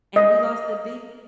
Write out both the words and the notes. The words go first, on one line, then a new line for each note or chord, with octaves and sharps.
And we lost the defense
D#5